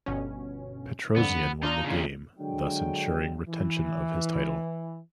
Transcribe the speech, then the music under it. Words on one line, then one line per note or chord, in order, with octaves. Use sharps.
Petrosian won the game, thus ensuring retention of his title.
G1 B2 C#4
F2 D3 B3
D4 D#4 F4 A#5
D#2 C#3
D3 F#3 G#3 D4 G5
E3